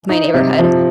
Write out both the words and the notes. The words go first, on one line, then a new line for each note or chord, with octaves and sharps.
my neighborhood,
D#4
C3
F3